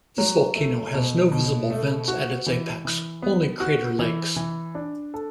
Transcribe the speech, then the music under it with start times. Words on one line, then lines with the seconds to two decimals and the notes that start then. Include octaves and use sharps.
This volcano has no visible vents at its apex, only crater lakes.
0.18 F#3
0.56 A3
0.94 B2
1.32 B2
1.70 A3
2.08 F#4
2.46 E3
2.85 E3
3.22 B3
3.60 F#4
3.99 E3
4.36 E3
4.75 D4
5.14 A4